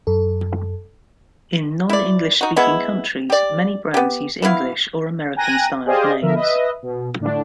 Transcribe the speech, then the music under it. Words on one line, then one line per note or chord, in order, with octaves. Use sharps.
In non-English-speaking countries, many brands use English- or American-styled names.
F#2 A4
E4 D5
D#4 F#4
E3 G#3 B3 E4
G4 D5
B3 G4
E3 B3 E4 F5
G5 G#5 A#5 F#6 A#6 D#7
G4 G#4 C5 D5 D#5 F5
D3 F3 A#4 E5
B4 D#5 E5
B2
A2 D3 D4